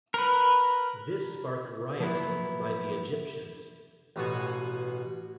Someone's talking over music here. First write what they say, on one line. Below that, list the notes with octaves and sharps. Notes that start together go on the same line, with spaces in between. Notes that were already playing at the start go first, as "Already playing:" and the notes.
This sparked rioting by the Egyptians.
A#4 B4
F3 F#3 A#3 B3 E4
A1 B2 F#4 G#5